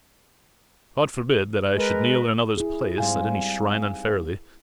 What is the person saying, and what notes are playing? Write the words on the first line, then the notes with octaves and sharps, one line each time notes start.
God forbid that I should kneel in another's place at any shrine unfairly.
G#3 A#4 B4
E4 G#4
G#2 G3 C4 F5 G#5